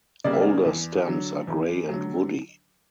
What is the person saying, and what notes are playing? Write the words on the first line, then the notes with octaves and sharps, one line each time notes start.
Older stems are grey and woody.
C#3 G3 A#3 D5
E5
D5
E2
D3 F#3
E2
D3 F#3